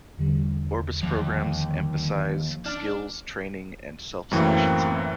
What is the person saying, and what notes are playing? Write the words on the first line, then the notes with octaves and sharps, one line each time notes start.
Orbis' programs emphasise skills, training and self-sufficiency.
E2 D3 G3
D#2 F3
D4 D5 F6
F#2 A2 E3 A#3 C4